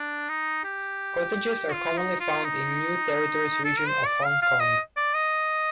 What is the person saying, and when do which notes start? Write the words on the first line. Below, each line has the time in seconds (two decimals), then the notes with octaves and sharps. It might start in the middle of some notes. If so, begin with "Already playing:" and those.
Cottages are commonly found in the New Territories region of Hong Kong.
Already playing: D4
0.29 D#4
0.64 G4
1.72 F4
1.97 D#4
2.20 F4
2.44 D#4
3.65 A4
3.77 A#4
3.88 C5
4.07 D5
4.25 F5
4.42 F5
4.60 D#5
4.97 D5
5.14 D#5